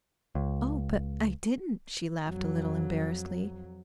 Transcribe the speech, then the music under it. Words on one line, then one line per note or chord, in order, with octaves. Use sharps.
"Oh, but I didn't," she laughed a little embarrassedly.
C#2
F2 F#3